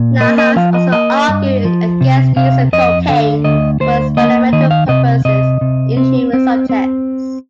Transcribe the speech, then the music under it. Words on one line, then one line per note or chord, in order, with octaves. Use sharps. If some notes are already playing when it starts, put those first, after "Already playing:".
Nahas also argued against the use of cocaine for experimental purposes in human subjects.
Already playing: A#2
A#3 D#5
D#5
F3 F5
D#5
A#3 D#5
G2
F3
C3
C3 F5
F2 D#5
D3 F5
D2 D#5
D2 C5
A#3 D#5
D#3 D#5
F5
C3 D#5
C3 D#5
C3
C4
C4
C4